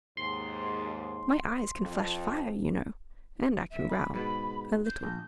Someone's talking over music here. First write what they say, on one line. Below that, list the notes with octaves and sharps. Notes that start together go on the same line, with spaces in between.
"My eyes can flash fire, you know, and I can growl--a little."
D#2 G#2 C6
F2
E5
B5
G#2 B2 B5
G6
A#1